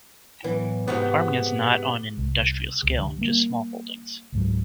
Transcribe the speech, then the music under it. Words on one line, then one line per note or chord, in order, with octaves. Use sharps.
Farming is not on an industrial scale, just small holdings.
A2 E3 F#3 B3
G#2 C3 B3 F#4 G4
C2
C#2
D3 G3
G3 A#3
C#2 G#2 F#3